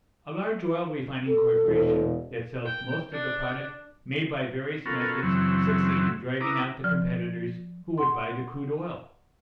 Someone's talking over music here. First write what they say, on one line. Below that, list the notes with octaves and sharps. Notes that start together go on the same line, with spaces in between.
A large oil-refining corporation that sells most of the product may by various methods succeed in driving out the competitors who would buy the crude oil.
A4
E1
G5
D4
B3 C#4 F4 F#4 A4 A#4
F#2 C#3 E3 F#3 C4 E6
E4 B4 A#5 D6 D#6
F3
F#5 C6